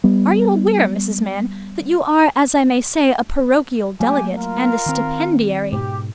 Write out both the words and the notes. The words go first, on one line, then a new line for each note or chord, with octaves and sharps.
Are you aweer, Mrs. Mann, that you are, as I may say, a porochial delegate, and a stipendiary?'
G3 B3
F#3 A3 A#3 G4 G#5
F4 A#4 F5
D#3 C4
G#2 B2 G4